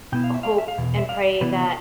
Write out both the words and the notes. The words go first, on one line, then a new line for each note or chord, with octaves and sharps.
hope and pray that,
B2 B3 E4 G5
F5
E5
D5 F5
E5
F5
E2 B2
E5
D5 F5
C3 E3 B3 E4 B4 D5